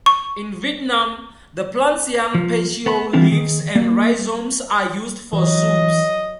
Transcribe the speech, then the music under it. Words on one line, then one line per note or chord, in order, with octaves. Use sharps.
In Vietnam, the plant's young petiole leaves and rhizomes are used for soups.
C#6
F3
B3 B4 B5
E3 B3 C4 D4 E4 F4
D#3 G#4
A#3
E3 F#3 D#5